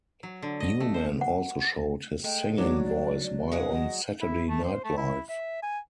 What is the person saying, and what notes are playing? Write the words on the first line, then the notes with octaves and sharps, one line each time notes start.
Newman also showed his singing voice while on Saturday Night Live.
F#3
D3
D#5
A3
C5
F#5
G#3 A3 A4 G5
F#3 G3 D4 D#4 C#5 D6
D5
G#3 G#4 F5 F#5
F#4 D#5
E4
A3
C5
A3
E4
E5
G#5